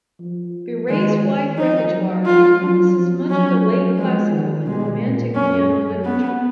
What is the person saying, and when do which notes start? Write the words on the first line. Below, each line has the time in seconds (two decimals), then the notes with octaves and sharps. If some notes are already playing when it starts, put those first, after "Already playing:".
Biret's wide repertoire encompasses much of the late Classical and Romantic piano literature.
0.20 F3
0.89 D#3 G#3
1.57 F3 D#4
1.92 F#3
2.26 F3 F4
2.60 F#3
2.96 F3
3.29 F#3 C#4
3.98 F3 G#3
4.33 D#3
4.67 B2 G#3
5.01 A#2
5.35 F#2 C#4
5.70 F#2
6.05 B3